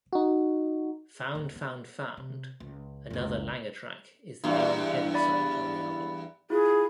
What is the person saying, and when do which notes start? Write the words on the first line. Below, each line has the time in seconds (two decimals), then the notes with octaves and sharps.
"Found Found Found", another Langer track, is the only heavy song on the album.
0.13 D#4 F#4
1.35 D1
1.55 B3
2.17 C3
2.60 C#2
3.10 F#1 C#2
4.44 E2 G2
5.14 D5 B5
6.50 E4 F4 G#4